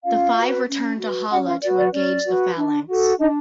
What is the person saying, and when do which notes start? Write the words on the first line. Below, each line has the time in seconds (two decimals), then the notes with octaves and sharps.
The five return to Hala to engage the Phalanx.
0.03 C#4 F4 F5
0.36 F#4 B4
0.66 C#4
0.98 F#4 B4
1.30 C#4 F#4 F#5
1.45 F4 F5
1.61 F#4 B4 D5
1.77 D5
1.92 C#4 D5
2.23 F#4 B4
2.55 D4
2.87 F#4 A4
3.18 D4 D#4 D#5